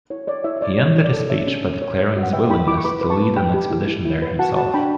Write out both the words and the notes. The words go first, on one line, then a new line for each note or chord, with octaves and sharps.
He ended his speech by declaring his willingness to lead an expedition there himself.
E4 C#5
C#5 D5
E4 C#5 E5
E5
C#5 D5
D5
C#5
E4
D5
A4
C#5 E5
C#4
C#4
C#5
C#5
F#4
F#5
B4 E5 G5
E4 G5 B5
E4 B5 D6
C#6
B4 B5 D6
B4
A5 C#6
B4
B4 G5 B5
G4
E4
E4
E4
B4
F#4 F#5 A5
F#4 F#5 A5
D4 G5 B5